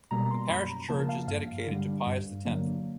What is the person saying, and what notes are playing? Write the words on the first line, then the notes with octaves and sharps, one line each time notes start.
The Parish Church is dedicated to Pius the Tenth.
B2 G3 A#3 A#5
C6
F#2 B5
A#5
C#3 F3 A#3 A5
F5
G2 F5
D3 G3
G2
D3 F#3 A#3